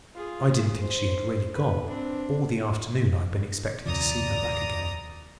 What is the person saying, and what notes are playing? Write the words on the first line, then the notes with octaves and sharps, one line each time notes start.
'I didn't think she had really gone; all the afternoon I've been expecting to see her back again.
F4 G#4
C5
B4
C4 D4
D#1 C3 F3 D5 A#5 D#6